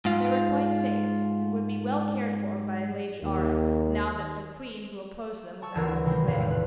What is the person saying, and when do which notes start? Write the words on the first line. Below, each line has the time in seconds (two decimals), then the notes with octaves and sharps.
They were quite safe and would be well cared for by Lady Aurex, now that the Queen who opposed them was out of the way.
0.05 G#2 F4
3.23 D#2
5.62 A5 C#6 E6
5.75 D2 E3 F4 A#4 G#6
5.88 E4
6.05 C3 D#3 G3 G#3 C#4
6.27 E1 E2 A2 F5
6.51 B4